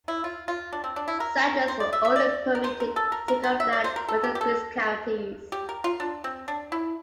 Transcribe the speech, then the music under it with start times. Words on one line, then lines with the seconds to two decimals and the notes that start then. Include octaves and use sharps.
Settlers were only permitted to take up land within these counties.
0.08 E4
0.24 F4
0.48 F4
0.73 D4
0.84 C4
0.96 D4
1.08 E4
1.20 A#4
1.68 C5
1.80 D5
1.93 E5
2.05 E5
2.16 D5
2.55 A#4
2.64 C5
2.80 A#4
2.96 A4
3.12 A#4
3.28 A#4
3.44 C5
3.60 E5
3.73 D5
3.84 C5
3.96 A#4
4.08 A4
4.24 G4
4.35 G4
4.41 A4
5.52 G4
5.69 A#4
5.84 F4
6.00 D4
6.24 C4
6.48 D4
6.72 E4